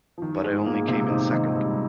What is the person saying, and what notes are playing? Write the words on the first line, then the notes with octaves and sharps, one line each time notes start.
But I only came in second.
F3
D#3
G#2 G#3
A#2 A#3
C3 C4
D#3 D#4
D#3 D#4
G2 G3